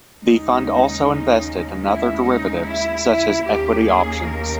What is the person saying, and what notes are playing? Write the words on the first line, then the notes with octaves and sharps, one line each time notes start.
The fund also invested in other derivatives such as equity options.
D#2 C#3 G#3 C#4 D#4
E4
D#4
E4
E4
D#2 D#3 A#3 C#4 G4
G#4
A#4